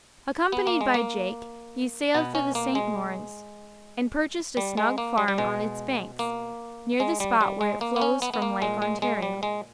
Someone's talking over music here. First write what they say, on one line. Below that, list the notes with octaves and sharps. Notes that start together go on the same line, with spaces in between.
Accompanied by Jake, he sailed for the St. Lawrence and purchased a snug farm on its banks, near the spot where it flows from Lake Ontario.
B3
A#3
G#3
A#3
B2 B3
C#4
A#3
G#3
G3
G#3
A#3
G3
G3
B2 G#3
A#3
G#3
G3
G3
G#3
A#3
B3
C#4
B3
B3
A#3
A#2 G#3
G#3
G#3
G3
G#3